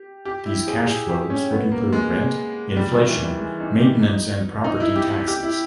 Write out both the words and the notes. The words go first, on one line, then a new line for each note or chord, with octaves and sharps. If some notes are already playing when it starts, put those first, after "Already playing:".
These cash flows would include rent, inflation, maintenance and property taxes.
Already playing: G4
G4
E4
G#4
G#4
G4
C#4
B3
A#3
G#3
G3
D#3
E3
G3
G#3
D#4
G4
D#4
D#4
E4
G4
G4
E4